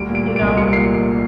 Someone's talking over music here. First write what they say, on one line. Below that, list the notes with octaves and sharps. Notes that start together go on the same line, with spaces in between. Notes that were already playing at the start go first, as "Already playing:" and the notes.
you know?
Already playing: D2 G3 D7
A#2
D7
A#3
D7
C2
G3 C#7
A#2 C7